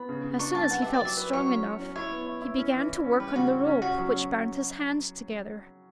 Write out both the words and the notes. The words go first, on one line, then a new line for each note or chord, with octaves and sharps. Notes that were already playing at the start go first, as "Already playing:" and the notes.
As soon as he felt strong enough he began to work on the rope which bound his hands together.
Already playing: B3 B5
C#3
C#3
D4 C#6
G3 A5
B4 F#5
G4 E5
D5
F#3 E5
B4
F#3 C#5
C#4
F#3
C#4
E4 C#5
B3
E4
E4
C#4
E3
E3
C#4
G3 B4
C#3 F#4
C#3
C#4
C#4 F#4
F#3
C#4